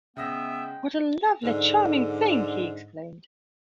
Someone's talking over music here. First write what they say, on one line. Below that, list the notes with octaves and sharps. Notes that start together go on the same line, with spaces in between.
'What a lovely, charming thing!’ he exclaimed.
C#3 G#3 B3 E5 G5 D#6 A#6
G#2 D3